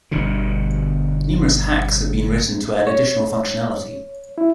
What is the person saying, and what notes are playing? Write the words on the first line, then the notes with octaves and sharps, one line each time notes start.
Numerous "hacks" have been written to add additional functionality.
G1 G2 B2 D3
C#5
E4